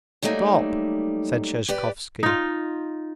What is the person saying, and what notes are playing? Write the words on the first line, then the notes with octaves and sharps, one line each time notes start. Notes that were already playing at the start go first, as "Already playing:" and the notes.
"Stop!" said Sheshkovsky.
F#3 G3 A3 A#3 D#4
G4 B4 D5
D#4 F4